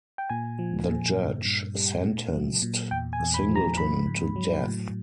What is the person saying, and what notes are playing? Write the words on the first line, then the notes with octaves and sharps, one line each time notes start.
The judge sentenced Singleton to death.
G5
A#2 G#5
F3
A#2
G2
G2
G3
A#2
F#3
A#2
E2 G5
G#5
E2
B5
F3
A#5
G#2 B5
G#2
F#3
A2